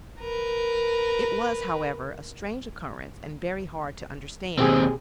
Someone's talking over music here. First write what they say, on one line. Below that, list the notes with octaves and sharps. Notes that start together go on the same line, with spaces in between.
It was, however, a strange occurrence and very hard to understand.
A#4 B4
D#2 B2 C4 G4 G#4